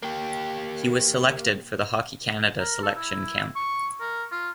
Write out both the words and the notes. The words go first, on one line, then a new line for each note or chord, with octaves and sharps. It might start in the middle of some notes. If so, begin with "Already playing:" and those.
He was selected for the Hockey Canada selection camp.
A#3 G4
A#4
A4
E4
C#6
A#4
F4